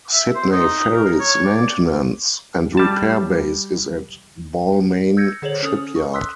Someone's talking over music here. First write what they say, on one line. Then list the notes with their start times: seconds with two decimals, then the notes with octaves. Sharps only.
Sydney Ferries maintenance and repair base is at Balmain Shipyard.
0.13 E5
0.35 C5
0.51 D#4
0.94 A#4
1.20 C#5
1.44 D5
2.77 G3 A5
5.17 E6 G6 G#6 A#6 C#7
5.42 D3 G#4 C5 C#5 F#7
5.63 C#4 A4 D#6
5.96 C#6
6.14 C6 D#6 E6 F#6 B6